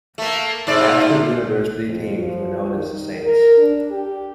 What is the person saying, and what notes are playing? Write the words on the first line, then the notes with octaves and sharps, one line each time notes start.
Ashford University teams were known as the Saints.
A3 A#3
G#2 C3 D5
F2
F3
D#3
A#4
D4
G4